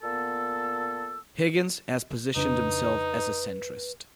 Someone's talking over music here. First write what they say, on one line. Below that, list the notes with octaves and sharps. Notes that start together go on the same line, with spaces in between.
Higgins has positioned himself as a centrist.
A#2 B3 A4 A5 E6
F2 C#3 D4 D#4 B4